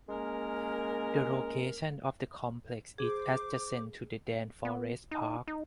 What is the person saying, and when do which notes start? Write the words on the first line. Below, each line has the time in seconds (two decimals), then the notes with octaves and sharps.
The location of the complex is adjacent to the Daan Forest Park.
0.08 G#3 A#3 C#4 A#4
2.98 G#4 C5 D6
4.65 B3
5.11 D#4
5.48 D#4